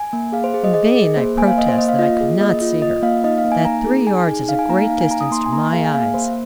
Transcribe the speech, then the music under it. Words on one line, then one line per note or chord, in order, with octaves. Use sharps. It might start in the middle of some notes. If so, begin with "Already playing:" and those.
In vain I protest that I could not see her,--that three yards is a great distance to my eyes.
Already playing: G#5
A#3
G#4 F5
C5
G#4
D#5
G#4 D#5
G#4
A#3 C5
A#3 G#5
F5
A#3 D#5
C5
A#3 D#5
F5
F4 D#5
G#4
A#3 D#5
F4
F4 D#5
A#3 F5
D#4 D#5
F5
A#3
G#5
D#4 A#5
G#4
G#4 G#5
D#4
D#4 F5
G#5
A#3 A#5
F5
D#4 F5
G#5
D#4 A#5
D#6
A#3 C6
G#5
A#3 A#5
G#4 F5
G#5
A#3 F5
A#3 C5